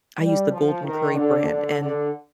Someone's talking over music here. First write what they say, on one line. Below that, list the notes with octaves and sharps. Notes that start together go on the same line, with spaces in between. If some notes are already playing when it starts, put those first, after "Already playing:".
I use the Golden Curry brand, and
G3
F3
D#3
D3
D3
D3